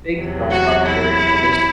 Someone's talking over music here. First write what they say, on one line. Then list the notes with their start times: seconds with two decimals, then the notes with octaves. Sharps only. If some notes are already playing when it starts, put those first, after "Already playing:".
big film buff here, so, there's
0.17 E2 C3 F#3
0.51 F#4
0.86 E4